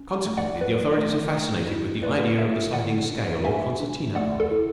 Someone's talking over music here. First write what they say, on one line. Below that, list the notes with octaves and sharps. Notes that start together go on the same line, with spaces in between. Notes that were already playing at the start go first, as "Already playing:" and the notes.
Consequently, the authorities are fascinated with the idea of the sliding scale or concertina army.
Already playing: C#4
A3
D5 F#5
F#3 B4 D5
A3
A3
E4
A3 B4 D5
A3 C#5 E5
D3 D5 F#5
D4
G#3 E5 G#5
D4
A3 D5 F#5
A4
E4